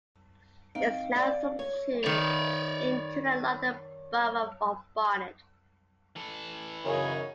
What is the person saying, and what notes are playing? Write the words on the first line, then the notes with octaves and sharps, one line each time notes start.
It is now subsumed into the London Borough of Barnet.
C4 D#4 F5 D7
D5
C#5
D#3 B4 C#5 D5
E3 A4
F#2 C#3 D#4 C#5 G#5